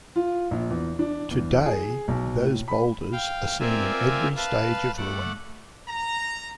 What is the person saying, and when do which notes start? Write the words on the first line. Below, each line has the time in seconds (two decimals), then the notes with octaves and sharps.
To-day those boulders are seen in every stage of ruin.
0.16 F4
0.51 A#1
0.70 E2
0.99 D4
1.31 E2
1.66 G#4
2.08 B1
2.41 A2
2.68 B5
3.12 F5 G5
3.59 C4 F4 A#4 D5 E5 G#5
4.36 B4 F5 A5
4.97 A3 D5 F#5
5.88 A#5